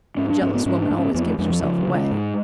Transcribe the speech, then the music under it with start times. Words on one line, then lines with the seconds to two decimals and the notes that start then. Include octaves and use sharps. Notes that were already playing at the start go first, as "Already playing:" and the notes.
A jealous woman always gives herself away.
0.17 G#2 C#4
0.30 D4
0.41 G#2 C#4
0.54 B3
0.66 G#2 C#4
0.82 D4
0.91 G#2
0.99 C#4
1.14 F2 B3
1.26 A3
1.38 F2 G#3
1.50 F3
1.63 C#3 F3
1.79 F#3
1.87 C#3
1.95 G#3
2.11 G#2